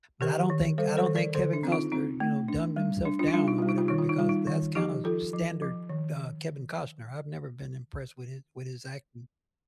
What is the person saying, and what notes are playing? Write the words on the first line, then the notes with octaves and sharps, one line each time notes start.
but I don't think I don't think Kevin Costner, you know, dumbed himself down or whatever because that's kinda s standard, uh, Kevin Costner, I've never been impressed with his with his acting.
D#3 G4 A#4
D#3
G3 A4 C5
A4 C5
D#3
A#4 D5
D3 A4 C5
D4
C4 F4
D#4
C4 D#4
A3
D4
G3
D4
D4 F4
D#4
G3 D4 F4
D#4
G3 F4
D#4
F4
D#3 D#4
F4
D#4
G3 F4
D#4
D#3
F3 D#4 G4
F3 F4 A4
F3
F3
D#3